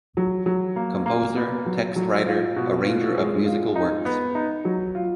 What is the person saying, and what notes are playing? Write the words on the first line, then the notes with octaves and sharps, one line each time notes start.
Composer, text writer, arranger of musical works.
F#3
F#3
A#3
A#3
B3
F#3
F#3
F4
B2
F4
G#3
F4
D#4
B3
D#4
F#3
F4